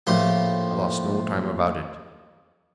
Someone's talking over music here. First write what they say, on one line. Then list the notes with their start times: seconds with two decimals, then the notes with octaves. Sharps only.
I lost no time about it.
0.07 A#1 A2 F3 G4